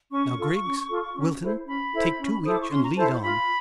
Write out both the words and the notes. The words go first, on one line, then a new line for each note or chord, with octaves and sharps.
Now, Griggs--Wilton; take two each, and lead on.
C#4 C#6
F4 A4
C#4
F4 A4
C#4
E4 A4 C5
C#4 B5
E4 A4 C5
C#4
E4 A4 C5 D#6
D6
C#6
C#4 C6
A#5
E4 A4 C5 A5
F4 B5